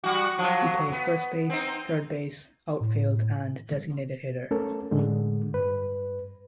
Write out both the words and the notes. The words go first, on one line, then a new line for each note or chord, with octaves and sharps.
He played first base, third base, outfield and designated hitter.
G3 F#4
F3 F#3
B3
C4 D#4
A2
A3 C#4 A4 A#4
A2 D3 G#3
G2 B4